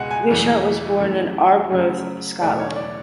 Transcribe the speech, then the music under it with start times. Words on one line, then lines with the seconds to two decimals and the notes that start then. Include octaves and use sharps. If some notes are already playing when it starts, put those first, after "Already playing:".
Wishart was born in Arbroath, Scotland.
Already playing: C#2 B2 G#3 F#5 G#5
0.11 G#5
0.28 F#1 E2 B2 A3
0.99 F#2 E3 A3
1.70 F#2 C#3 F#3 A3
2.40 F#1 E2 B2 A3 D5
2.59 C#5
2.76 D5